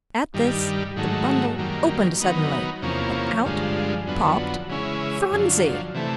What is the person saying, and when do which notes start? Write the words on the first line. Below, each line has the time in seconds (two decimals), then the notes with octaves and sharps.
At this, the bundle opened suddenly, and--out popped Phronsie!
0.34 G2 D#3 G3
0.97 G#2 D#3 F#3 A3
1.58 F#2 D#3 G3 A#3
2.20 D#3 F#3 B3 D#4
2.82 E2 C3 F3 A#3 C#4
3.45 G2 D3 F3 G#3
4.07 F2 D3 F#3 B3
4.69 C#3 E3 G#3 C#4 E4
5.31 F#2 D3 F3
5.95 C3 E3 A3